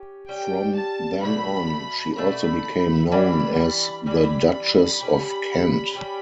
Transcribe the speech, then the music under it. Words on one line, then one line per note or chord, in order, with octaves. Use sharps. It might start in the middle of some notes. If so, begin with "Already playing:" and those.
From then on she also became known as the Duchess of Kent.
Already playing: C#4 G4
G3 C#4 G4 G5
A5
B2 A3 D4 F#4 B5
B2 A3 D4 F#4 B5
E3 G3 D4 B5
E3 G3 D4 B5
G3 C#4 G4
G3 C#4 G4